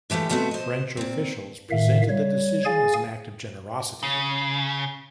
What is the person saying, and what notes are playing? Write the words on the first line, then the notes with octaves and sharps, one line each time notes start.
French officials presented the decision as an act of generosity.
D3 E3 A3 F4 G4
B2 G3 A3 B3 C4 F#4
C5 D#5
A#2 C4
A2 D#3 E5 F5
G3 C#5
G#4 F5 G#5 A6
C#3